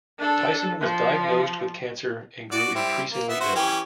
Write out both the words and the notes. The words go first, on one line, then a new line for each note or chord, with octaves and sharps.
Tyson was diagnosed with cancer and grew increasingly ill.
D4 A4
F3
F#4 D5
G3 C4 E4
A#3
B3 E5
F#4 C5 E5
E3 C#4 G4